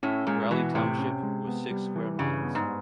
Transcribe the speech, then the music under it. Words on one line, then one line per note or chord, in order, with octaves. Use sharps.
Raleigh Township was six square miles.
A2 C#4
A#2 G#3
B2 E3
A2 C3
C#4
G#3
B3
G3
E3
G2 C#3
B3
G#2